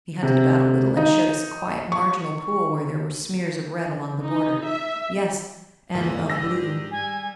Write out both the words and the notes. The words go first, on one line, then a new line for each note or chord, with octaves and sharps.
He hunted about a little and showed us a quiet marginal pool where there were smears of red along the border; yes, and of blue.
C3
D#4
C#6
D#4
E5
E2 G#2 E3 A#3 B4
D4 G4 G#4 E6 A#6
G3 G#5